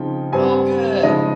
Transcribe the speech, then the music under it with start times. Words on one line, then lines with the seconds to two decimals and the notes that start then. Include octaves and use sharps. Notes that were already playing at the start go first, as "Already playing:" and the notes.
Oh good.
Already playing: C#3 F3 C4 D#4 G5
0.32 G2 G3 C4 G#5
1.03 C#3 F3 G#3 D#4 D#5